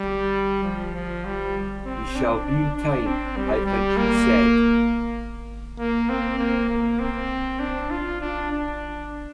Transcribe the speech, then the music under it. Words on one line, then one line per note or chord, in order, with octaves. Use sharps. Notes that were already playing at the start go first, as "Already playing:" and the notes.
"We shall be in time, I think," he said.
Already playing: G3
F3
F3
G3
C4
D4
D4
D4
C4
G3
G3
A#3
A#3
C4
A#3
A#3
C4
D4
F4
D4
D4